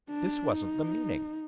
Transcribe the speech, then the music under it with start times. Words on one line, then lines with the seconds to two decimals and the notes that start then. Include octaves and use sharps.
This wasn't the meaning.
0.10 D4
0.51 D#4